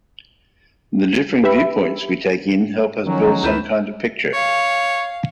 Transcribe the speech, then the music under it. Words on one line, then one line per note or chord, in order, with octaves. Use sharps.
The differing viewpoints we take in help us build some kind of picture.
G4 B4 E5 B5
D#3 F3 F#3 C#4 D#4
D2 D#3 E3 B4 G6 E7
C#5 F5